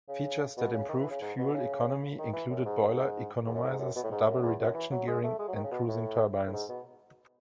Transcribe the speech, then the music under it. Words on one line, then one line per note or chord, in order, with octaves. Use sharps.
Features that improved fuel economy included boiler economizers, double reduction gearing, and cruising turbines.
C#3
B2
C#3
D#3
E3
C#3
G#2
B2
C#3
D#3
E3
F#2
G#2
F#2
G#2
E2
F#2
A2
G#2
F#2
B2
A2
G#2
F#2
E2
F#2
E3
F#3
G#3
A3
G#3
F#3
D#3
C#3
B2
A2
A2
G#2
B2